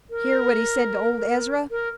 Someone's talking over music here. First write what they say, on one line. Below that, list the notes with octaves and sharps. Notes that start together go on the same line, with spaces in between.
Hear what he said to old Ezra?
A#4
A#4